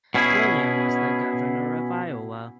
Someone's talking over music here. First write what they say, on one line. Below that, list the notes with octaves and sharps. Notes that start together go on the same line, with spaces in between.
William was the Governor of Iowa.
B2 C#4 E4 G#4